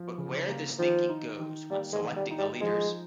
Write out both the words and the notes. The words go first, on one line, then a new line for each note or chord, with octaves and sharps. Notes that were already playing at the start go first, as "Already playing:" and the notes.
But where this thinking goes when selecting the leaders.
Already playing: F3
C#3
A#3
D#3 F3
D#4
D#3
G3 A#3
G#3
D#3
G3
D#4
G3
F3 G#3